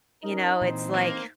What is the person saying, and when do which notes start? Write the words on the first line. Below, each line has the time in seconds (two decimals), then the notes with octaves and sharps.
you know, it's like
0.23 C#4 D#4 A#4
0.62 A#2 E3 C4 C5
0.94 A#3